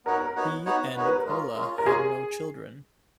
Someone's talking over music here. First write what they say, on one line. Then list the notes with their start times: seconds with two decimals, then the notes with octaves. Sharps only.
He and Pola had no children.
0.06 B3 D#4 F#4 A#4 C#5 F#5
0.21 A#4
0.36 B3 D#4 F#4 C#5 F#5
0.66 B3 D#4 F#4 C#5 F#5
0.95 B3 D#4 F#4 A#4 C#5 F#5
1.05 B4
1.16 A#4
1.26 G#3 C#4 F4
1.55 G#3 C#4 F4
1.78 A#4
1.85 G#3 C#4 F4 G#4